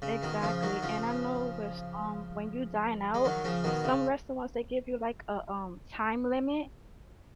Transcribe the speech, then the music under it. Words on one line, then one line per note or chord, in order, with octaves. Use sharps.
Exactly, and I know thas um, when you dine out, some restaurants they give you, like, a, um, time limit
C#3
B2 D#3
C#3 F3
D#3 F#3
C#3 F3
G#3
D#3 F#3
C#3 F3
B2 D#3
C#3